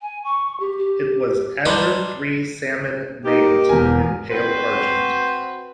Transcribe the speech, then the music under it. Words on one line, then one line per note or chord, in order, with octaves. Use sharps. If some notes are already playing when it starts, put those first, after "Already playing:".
It was "Azure three salmon naiant in pale argent".
G#5
C#6
G4
G4
G3 D4 D#4 B4 C5
A#3 D#4 G4
E1 A#4 G#5
C4 F#4 B4 C5